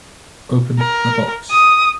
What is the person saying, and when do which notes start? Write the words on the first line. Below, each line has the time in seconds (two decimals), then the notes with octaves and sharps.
Open the box.
0.79 A#4
1.50 D#6